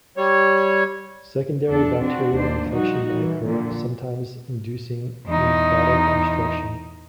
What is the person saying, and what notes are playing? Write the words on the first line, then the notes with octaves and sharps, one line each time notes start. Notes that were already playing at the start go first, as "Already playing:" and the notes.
Secondary bacterial infection may occur, sometimes inducing lymphatic obstruction.
G3 C#5
E2 D4 A4
C4 D4 F#4
D#2 D4 C5
F3 G3 D#4 F#4
E3
A#2 D3 F3
E2 D#4